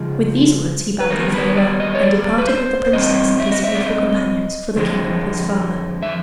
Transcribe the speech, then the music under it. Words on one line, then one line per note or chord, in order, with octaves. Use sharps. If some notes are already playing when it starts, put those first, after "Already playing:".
With these words he bade them farewell, and departed with the princess and his faithful companions for the kingdom of his father.
Already playing: C#3 F3 G#3
B4
D#3 G3 B3 A#4
B4
D5
D#5
C#5
D5
B4
C5
B2 G3 C4 D#5
E5
D#5
E5
D5
D#5
F2 D3 F3 G#3
E5